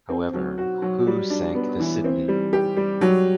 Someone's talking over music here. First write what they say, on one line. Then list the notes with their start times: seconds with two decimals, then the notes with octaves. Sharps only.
However, Who Sank the Sydney?
0.09 C4
0.33 F#3
0.58 F#4
0.82 F#3
1.07 G3
1.30 D4
1.54 B3
1.80 E3
2.04 C4
2.28 G3
2.53 G4
2.77 G3
3.01 F#3